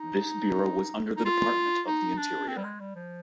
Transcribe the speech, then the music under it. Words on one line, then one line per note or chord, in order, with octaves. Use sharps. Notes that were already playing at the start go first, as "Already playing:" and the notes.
This bureau was under the Department of the Interior.
Already playing: D#4
D#4
F4
D#4
D4
C4
G3
G#3
G3
F3